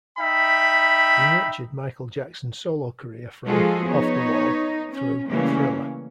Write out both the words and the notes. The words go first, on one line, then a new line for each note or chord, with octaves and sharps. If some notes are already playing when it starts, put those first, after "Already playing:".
He nurtured Michael Jackson's solo career from "Off the Wall" through "Thriller".
D#4 E5 G5 B5
F3 G#3 F4 F#4 G#4 A4
B3 D#4 C#5
C#4
C#3 E3 G3 A3 A#3 C#4